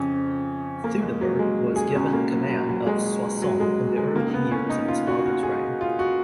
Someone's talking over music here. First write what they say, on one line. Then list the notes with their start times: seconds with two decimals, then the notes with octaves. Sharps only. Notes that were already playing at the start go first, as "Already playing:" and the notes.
Theudebert was given command of Soissons in the early years of his father's reign.
Already playing: F2 C#3 C#4
0.84 A#3
1.04 G#3
1.21 F#3
1.39 G#3
1.76 G#4
1.95 C#2 B2 C#4
2.13 A#3
2.32 F#3
2.50 F#3
2.69 F#3
2.87 G#3
3.42 F#3
3.60 G#3
3.97 G#3
4.16 C#2 C#3 A#3
4.34 B3
4.52 C#4
4.69 D#4
4.88 F4
5.07 F#4
5.25 F#4
5.43 G#4
5.81 F4
5.99 F#4